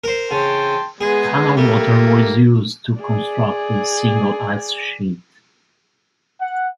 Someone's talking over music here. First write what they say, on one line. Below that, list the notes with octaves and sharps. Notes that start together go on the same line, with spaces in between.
Canal water was used to construct the single ice sheet.
A#4 C5
C#3 G5 A5 C6
G#3 B3 G#4
G3 A3 A#3
G#4 D5
F#5